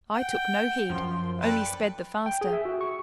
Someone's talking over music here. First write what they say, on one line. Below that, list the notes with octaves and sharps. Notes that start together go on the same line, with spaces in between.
I took no heed--only sped the faster.
F#5 G5
F#2 F3 C6
A4 B4 D5 G5
G5
G#4
E5
F#4
C#6